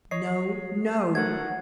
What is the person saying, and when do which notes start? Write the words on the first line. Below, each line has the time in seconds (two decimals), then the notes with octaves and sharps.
"No, no!"
0.11 C#5 D#5 C7
1.15 F#3 A3 A#4 F#5 G#6